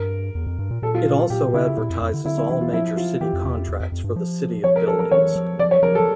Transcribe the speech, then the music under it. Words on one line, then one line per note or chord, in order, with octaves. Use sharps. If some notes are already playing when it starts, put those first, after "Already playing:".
It also advertises all major city contracts for the City of Billings.
Already playing: G2 A#4
E2
F2
G2
A#2
A#2 A4
F4
F4
A#2 G4
C#3 E4
A#2 E4
F2
F2
D3
D3 E4
E4
E3 E4
F4
F3 E4
F4
E3 G4
F2
E2
F2
E2
F2
F2
G2
F3
F3 C#5
A#4
A4
A#4
E3 C#5
F3
F3 D5
C#5
F3 A#4
A4
F3